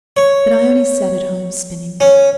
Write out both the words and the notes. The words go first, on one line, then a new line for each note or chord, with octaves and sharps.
But Ione sat at home spinning.
C#5
C#4